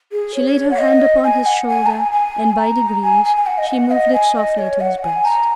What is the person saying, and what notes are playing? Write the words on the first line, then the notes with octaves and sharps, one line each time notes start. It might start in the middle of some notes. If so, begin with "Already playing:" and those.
She laid her hand upon his shoulder, and by degrees she moved it softly to his breast.
G#4
C#5
F#5
D#5
G#5
F#5
G#5
A#5
G#5
G#5
A#5
G#5
G#5
G#5
F#5
D#5
F#5
D#5
G#5
D#5
C#5
F#5
G#5
A#5